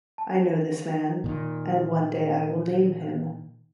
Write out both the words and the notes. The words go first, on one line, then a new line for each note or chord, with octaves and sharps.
I know this man, and one day I will name him.
A5
A#2 D#3